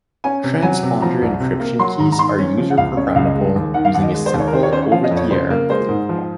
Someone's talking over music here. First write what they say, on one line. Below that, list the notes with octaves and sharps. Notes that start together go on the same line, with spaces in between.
Transponder encryption keys are user programmable, using a simple over-the-air protocol.
C#4 G#5
C3
F#3 G#5
C3
F3 A#5
C2
C3
A#3
F#3 C6
G#2 A#5
A#5
D#3 C6
C#4
F3
F#5
C#2 F5
C#3 C#5
D#5
C#2 F5
D#5
G#3
D#2
D#3 F#5
F5
D#2 F#5
D#5
G#3
C5
D#2
C#5
A#4
D#3 C5
C#5
C#4 C5
C#5
F3 F5
D#5
F2
C#5
C#3 C5
A#3
G#3 C5
G#2
F3